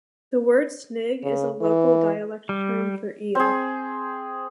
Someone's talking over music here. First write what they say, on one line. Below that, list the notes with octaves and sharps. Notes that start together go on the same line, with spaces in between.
The word snig is a local dialect term for eel.
C#3
E3
G3
C4 G#4